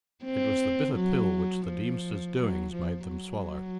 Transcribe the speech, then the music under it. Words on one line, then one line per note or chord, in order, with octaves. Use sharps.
It was the bitter pill which the Deemster's doings made them swallow.
C4
F#3
F3
F#3
F3
F#3